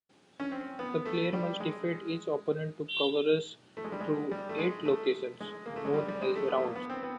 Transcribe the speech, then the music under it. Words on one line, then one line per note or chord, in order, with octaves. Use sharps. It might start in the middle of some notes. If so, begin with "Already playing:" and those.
The player must defeat each opponent to progress through eight locations, known as rounds.
C#4
C4
B3
A3
G3
G#3
A3
G#3
G3
G#3
G3
A3
G#3
A3
G#3
A#3
A3
G#3
G3
G3
G#3
A3
B3
A3
A#3
B3
C4
B3